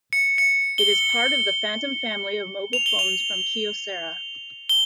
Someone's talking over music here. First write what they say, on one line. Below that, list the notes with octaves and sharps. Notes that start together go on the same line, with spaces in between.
It is part of the Phantom family of mobile phones from Kyocera.
C#7
C#7
G7
F7
G7
F7
G7